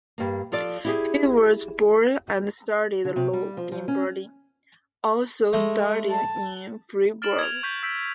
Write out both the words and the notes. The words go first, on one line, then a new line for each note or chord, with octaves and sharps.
He was born and studied law in Berlin, also studying in Freiburg.
G2 A#3
F3 F4 A4 D5
E4 G4 G#4
D3
C3
G3
F3
F3
C#4
G#3 A3
A5
F6 A6 D7 E7 F#7
G#6 F7
C#6 G6 B6
E6 G6 B6 D7